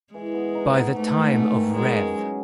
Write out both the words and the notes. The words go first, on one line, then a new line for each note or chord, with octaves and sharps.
By the time of Rev.
E3 G#3
B3
D#4
B3
G#2 A3
G#2
G#2
D#3
F#3 G#3
C#4
F#3